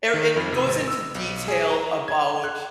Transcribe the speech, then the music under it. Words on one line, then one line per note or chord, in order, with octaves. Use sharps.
er it goes into detail about
D#3
F2
C3
G#1
E6
B1
G#4
A#5
G#6
F#6